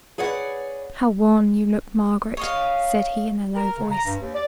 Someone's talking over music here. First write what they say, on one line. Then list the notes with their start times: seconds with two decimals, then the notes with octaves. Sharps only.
'How wan you look, Margaret!' said he in a low voice.
0.18 G#4 B4 C#5 D5 F#5
2.37 C#5 D#5 F5
3.55 A#4
3.77 C#3
3.91 A#5
4.04 G2
4.21 D#2
4.34 D5